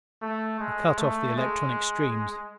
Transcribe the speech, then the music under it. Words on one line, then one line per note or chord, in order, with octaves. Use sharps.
I cut off the electronic streams.
A3
G#3
A3
G#3